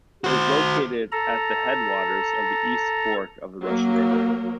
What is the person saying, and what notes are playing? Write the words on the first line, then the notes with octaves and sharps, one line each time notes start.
It is located at the headwaters of the East Fork of the Russian River.
F#4 C5
A4 A#5
F#3 A#3 A#4